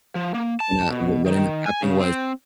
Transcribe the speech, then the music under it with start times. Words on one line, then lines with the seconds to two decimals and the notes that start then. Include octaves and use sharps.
when, uh w what ended up happening was
0.15 F3
0.34 A#3
0.60 A5
0.91 B2
1.26 D#3
1.66 G#5
1.82 C#3
2.00 C4